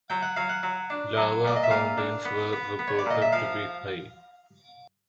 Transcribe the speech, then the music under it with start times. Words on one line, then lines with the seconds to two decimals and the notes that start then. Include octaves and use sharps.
Lava fountains were reported to be high.
0.10 F#3 G5
0.22 F#5
0.36 F#3 F5
0.49 F#5
0.63 F#3
0.90 D4
1.17 F#3
1.45 A#2 D5
1.56 D#5
1.63 E5
1.71 A#2 F5
1.98 D4
2.25 B3
2.53 B3
2.79 B3
2.88 C#5
2.99 D5
3.06 A#2 D#5
3.22 E5
3.32 F3 F5